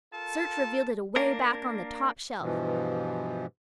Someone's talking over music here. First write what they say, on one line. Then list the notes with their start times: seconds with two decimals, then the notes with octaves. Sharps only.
Search revealed it away back on the top shelf.
0.13 F4 A4 A#4 A5
1.16 A#3 D4 A#4
2.41 G2 B2 E3 F3